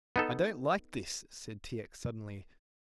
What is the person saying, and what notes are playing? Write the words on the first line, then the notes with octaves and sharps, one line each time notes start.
"I don't like this," said T. X., suddenly.
B3 D#4 A4